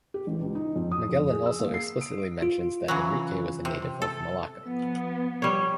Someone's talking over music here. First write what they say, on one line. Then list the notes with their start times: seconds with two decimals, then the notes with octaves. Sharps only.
Magellan also explicitly mentions that Enrique was a native of Malacca.
0.14 G4
0.27 A1
0.41 C#2
0.55 D#4
0.76 F2
0.92 D#6
1.09 F2
1.31 G#4
1.46 E6
1.60 A#3
1.74 C7
2.01 D7
2.42 F4
2.88 C#3 E3 F#3
3.65 C3
4.02 A4
4.63 F3 B3
5.42 G3 C#5